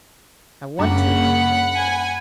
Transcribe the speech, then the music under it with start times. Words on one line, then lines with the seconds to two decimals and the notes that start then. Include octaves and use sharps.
"I want to."
0.79 F#2 C#3 G3 A#3 D4 F#5 B5
1.76 G#5